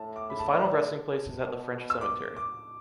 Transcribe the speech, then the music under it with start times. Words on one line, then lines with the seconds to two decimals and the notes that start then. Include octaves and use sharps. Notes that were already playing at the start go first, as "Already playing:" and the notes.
His final resting place is at the French cemetery.
Already playing: A2 A5
0.16 D6
0.30 B5
0.39 A5
1.31 B2
1.90 E6
2.01 D6
2.37 D6